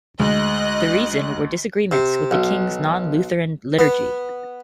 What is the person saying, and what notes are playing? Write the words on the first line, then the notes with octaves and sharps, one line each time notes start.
The reason were disagreements with the King's non-Lutheran liturgy.
D2 G#3 D#5 F#6
C3
B1
B3